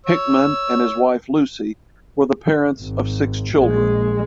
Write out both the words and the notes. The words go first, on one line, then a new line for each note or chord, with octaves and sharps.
Hickman and his wife Lucy were the parents of six children.
C#5 E6
G#1
A#1 G#3